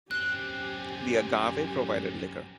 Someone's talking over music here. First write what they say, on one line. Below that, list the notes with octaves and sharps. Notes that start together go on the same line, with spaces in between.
The agave provided liquor.
F#2 C4 G4 G#5 F#6 G7